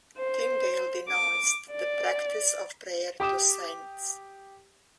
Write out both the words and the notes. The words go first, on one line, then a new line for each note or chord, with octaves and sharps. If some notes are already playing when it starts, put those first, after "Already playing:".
Tyndale denounced the practice of prayer to saints.
C5
D6
D5
G4 D6 D#6 E7